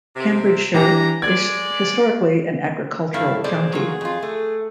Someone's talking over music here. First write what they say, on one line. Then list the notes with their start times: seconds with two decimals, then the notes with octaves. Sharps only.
Cambridgeshire is historically an agricultural county.
0.16 C3
0.74 E3 D4 G4 A#5
1.22 G#3 D5 G#6
3.14 G2 A3 E4 F5
3.44 B2 G#4 C5 D5
3.73 F#3 F4 F#4
4.01 F2 F4
4.22 A3